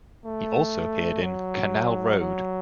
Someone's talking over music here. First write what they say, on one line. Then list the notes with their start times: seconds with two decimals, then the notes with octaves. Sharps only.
He also appeared in "Canal Road".
0.25 A3
1.22 F#3
2.20 F#3